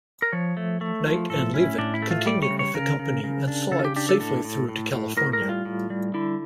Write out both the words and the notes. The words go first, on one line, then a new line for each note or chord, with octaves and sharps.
Knight and Leavitt continued with the company and saw it safely through to California.
A#4
F3 C#5
A3
A3
F3
A2 A4
C#4 E4
A2 D4
E4
A3
F4
G3 D5
C#5
C#3
C#5
C#3 A#4
C#3
C#3
D4
C#3 A4
F4
G4
D4 G4
A4
A2 A4
A2
A2
A2
A2 A#4
A#4
G3
F4
A2
G3
D3 E4